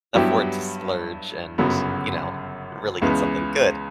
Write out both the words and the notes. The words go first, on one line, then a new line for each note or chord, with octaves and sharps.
afford to splurge and, you know, really get something good.
G2 F#3 B3 E4 G4
G1 F#2 C#3 F#3 B3
C#2 C#3 E3 B3